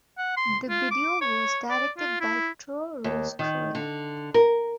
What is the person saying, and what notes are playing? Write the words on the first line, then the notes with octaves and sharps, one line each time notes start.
The video was directed by Troy Roscoe.
F#5
C6
F4
D6
C#5
D5
F4
E4
D#2
D#3
D3
A#4